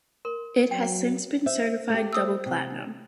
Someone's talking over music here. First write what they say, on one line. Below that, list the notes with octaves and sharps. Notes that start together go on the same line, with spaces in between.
It has since been certified double platinum.
A#4 C6
F#3 G5
C5 E5
A3 G4
C5 D#6 E6
C3